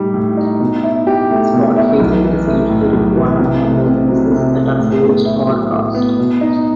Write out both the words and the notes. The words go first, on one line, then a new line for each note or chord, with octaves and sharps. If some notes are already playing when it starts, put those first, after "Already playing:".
Spotfacing is usually required on workpieces that are forged or cast.
Already playing: A2 G3 D#4 G4
A2
D#4
B2
E4
G4
A3
B2
E4
B1
E3
A3
A2
B1
E3
C3
A3
C4
F#3
C3
A3
A2
B3
E4
F#3
A2
B3
B2
D#4